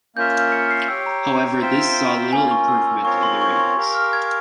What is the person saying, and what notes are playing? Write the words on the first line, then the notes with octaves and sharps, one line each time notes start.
However, this saw little improvement in the ratings.
A#3 C#4 F4 A#4 E5 G6
G6
C#7
C7
G4 C#5 G5 E6
A#5
A#5
C4 F4 C5 E5 G5
A#3 C#4 F4 G#5
C#6
E6
E6
C4 F4 A#4 C#5 F5 C#6
C6
C#6
C#6
G4 A#4 F5
F6
G#6